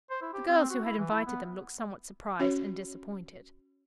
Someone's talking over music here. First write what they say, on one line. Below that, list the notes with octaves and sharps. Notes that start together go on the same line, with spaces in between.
The girls who had invited them looked somewhat surprised and disappointed.
C5
E4
G4
C4
F#4
E4
E3
E4
B3
C#4 F#4 C#5